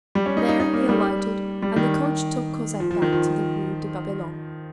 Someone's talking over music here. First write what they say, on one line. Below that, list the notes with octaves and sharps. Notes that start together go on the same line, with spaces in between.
There he alighted, and the coach took Cosette back to the Rue de Babylone.
G3
C#4
D#4
D#4
D#4
A#3
G3
G3
D#3
F3
F3
D#3
F3